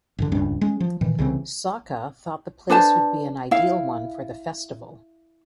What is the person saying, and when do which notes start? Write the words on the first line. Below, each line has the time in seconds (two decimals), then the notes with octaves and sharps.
Sokka thought the place would be an ideal one for the festival.
0.18 A1 F#2 D3
0.32 D#1 C#2 G2 D4
0.61 G#3 C#4
0.80 F3
1.01 A#2 D#3 E3
1.19 C2 C#3 E3 C4
2.70 D4 B4 C5 A5
3.51 E4 F5